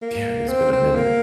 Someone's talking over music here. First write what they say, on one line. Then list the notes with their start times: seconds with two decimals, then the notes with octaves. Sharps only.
Yeah, it's been a minute.
0.02 A#3
0.49 C4
0.73 C4
0.95 A#3